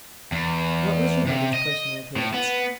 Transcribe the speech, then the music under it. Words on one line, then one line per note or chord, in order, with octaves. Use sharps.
"What was your mother's personal appearance?"
E2
C3
D#5
A2
B3